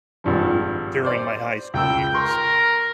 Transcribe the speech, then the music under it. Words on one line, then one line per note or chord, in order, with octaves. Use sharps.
during my high school years.
G#1 G2 F3
C5 D5
C#2 G5 E6
A#4 C6 C#6